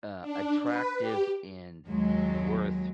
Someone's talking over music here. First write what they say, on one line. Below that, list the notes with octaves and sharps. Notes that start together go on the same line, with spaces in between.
uh, attractive and worth
D4
B4
G4
D#2 F#3 G#3